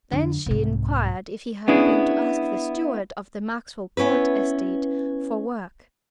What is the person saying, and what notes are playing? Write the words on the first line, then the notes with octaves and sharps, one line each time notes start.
Then she inquired if he had been to ask the steward of the Maxwell Court estate for work.
F2 D3
C2 G#2
B3 C#4 D4 E4 G#4
B3 C#4 E4 B4